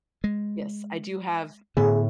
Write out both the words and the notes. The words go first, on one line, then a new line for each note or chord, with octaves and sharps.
Yes, I do have
G#3
A2 D3 B3 G#4